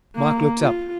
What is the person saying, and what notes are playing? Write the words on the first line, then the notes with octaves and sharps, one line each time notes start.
Mike looked up.
A#3
F4